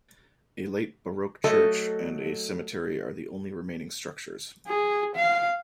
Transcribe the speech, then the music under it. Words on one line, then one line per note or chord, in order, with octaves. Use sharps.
A late baroque church and a cemetery are the only remaining structures.
F#3 A3 A4 D#5
G#4
F5